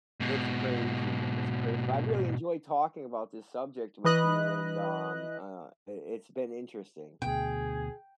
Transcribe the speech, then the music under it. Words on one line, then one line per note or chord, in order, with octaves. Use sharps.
it's crazy, it's craz but I really enjoyed talking about this subject with you, and, um, uh, i it's been interesting.
G#2 B2
E3 B4 D#5 F#6
D2 B2 G#4 G5